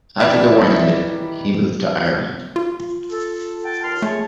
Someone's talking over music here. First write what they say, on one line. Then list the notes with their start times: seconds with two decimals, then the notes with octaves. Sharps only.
After the war ended, he moved to Ireland.
0.20 D#3 E3 G3 D5 E5
2.56 F4
3.11 A4
3.64 F#5 G5 A5
3.82 D#2 C6 F6
4.02 A3 G#4 C#5 A5